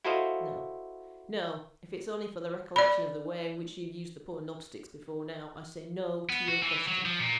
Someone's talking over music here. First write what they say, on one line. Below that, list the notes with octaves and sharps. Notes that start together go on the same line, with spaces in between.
No! no! if it's only for the recollection of the way in which you've used the poor knobsticks before now, I say No! to your question.
E4 F#4 A4 C5 D#5 F5
D5 B5
B3
F#4
E3
F#3
F3
A#2